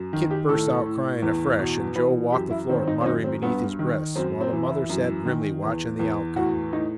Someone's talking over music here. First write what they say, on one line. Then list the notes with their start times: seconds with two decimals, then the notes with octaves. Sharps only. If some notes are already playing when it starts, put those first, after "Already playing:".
Kit burst out crying afresh, and Joe walked the floor muttering beneath his breath, while the mother sat grimly watching the outcome.
Already playing: F#2
0.13 D#3
0.31 G4
0.49 A2 A4
0.85 A2
1.22 E2
1.59 B2
1.95 E3 B4
2.32 F#2 G4
2.51 E4
2.69 D#3 C4
2.82 C4
2.87 D#4
3.01 C4
3.05 F#2 D#4
3.24 C4
3.42 G2 B3
3.79 D#3
4.15 F#2 C4
4.41 C4
4.53 E3
4.65 E4
4.89 F#2
5.26 D#3
5.63 E2
5.99 E2
6.36 A2 F#4
6.73 A2 D#4